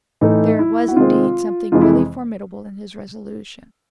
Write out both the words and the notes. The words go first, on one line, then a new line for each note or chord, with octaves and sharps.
There was indeed something really formidable in his resolution.
A2 E3 A3 D#4
E4
F#4
C3 D#3 G#3 C4 F4
F2 C3 E3 G#3 F4
E4